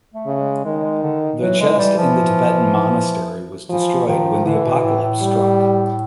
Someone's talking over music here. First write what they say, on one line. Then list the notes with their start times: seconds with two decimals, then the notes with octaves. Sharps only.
The chest in the Tibetan monastery was destroyed when the apocalypse struck.
0.14 A3
0.27 C#3
0.39 G#3
0.64 D#3 G#3
0.84 G#3
1.03 D3
1.41 E3 F#3
1.60 G#3
1.79 G3
1.98 F3
3.69 E3 F3
4.07 D#3 F3
4.45 D3 E3
4.64 B2
4.84 A2
5.03 A2
5.21 G3